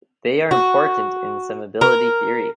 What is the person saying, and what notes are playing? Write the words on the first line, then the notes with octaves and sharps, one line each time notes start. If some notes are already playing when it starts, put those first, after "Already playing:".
They are important in summability theory.
F#4
A#4